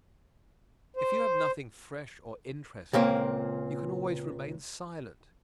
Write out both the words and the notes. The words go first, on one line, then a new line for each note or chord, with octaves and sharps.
If you have nothing fresh or interesting you can always remain silent.
C5
C#2 A#2 A#3 C4